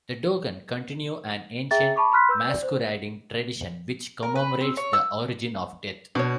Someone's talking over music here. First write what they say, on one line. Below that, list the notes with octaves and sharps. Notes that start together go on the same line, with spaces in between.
The Dogon continue an ancient masquerading tradition, which commemorates the origin of death.
G#4 E5 G5 A#5 A6
A5 B5 C#6 D6
B5 C6 F6 F#6 B6
B4 E6 G6
D5
C5
A#4
B4
C4
C#5
E6
B2 D4 C#5